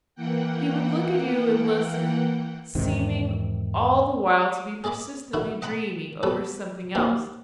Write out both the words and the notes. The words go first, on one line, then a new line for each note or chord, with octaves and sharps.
He would look at you and listen, seeming all the while to be persistently dreaming over something else.
E3 A#3 F#5 G5
E2 G#2 C3 D#3
G#4 D5 D#5 B5 D6
D3 D#3 D#4 E4 F#4
D#5 F#5 A#5 B5
G3 B3 F#4 A4
A#1 D#2 F3 G3 C4